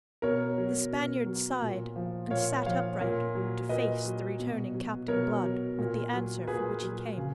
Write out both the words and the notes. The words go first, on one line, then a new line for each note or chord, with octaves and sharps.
The Spaniard sighed, and sat upright to face the returning Captain Blood with the answer for which he came.
B2 A#4 C#5
F#3
B2
F#3
A#2
F3
A#2 C#5 F5
F3 C#5 F5
A#2
F#3
A#2 B4 D#5
F#3
B2
F#3
B2 A#4 C#5
F#3
A#2
F#3
A#2 G#4 B4
F#3
C#3